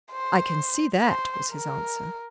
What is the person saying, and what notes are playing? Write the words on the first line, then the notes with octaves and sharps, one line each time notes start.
"I can see that," was his answer.
C5
C5
A#4